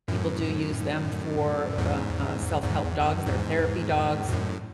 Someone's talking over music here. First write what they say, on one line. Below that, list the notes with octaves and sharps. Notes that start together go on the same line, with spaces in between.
people do use them for, uh, self-help dogs. They're therapy dogs,
F#2 A2
E2 G#2
E2 G#2
E2
E2
F#2
E2 G#2
B2
F#2 A2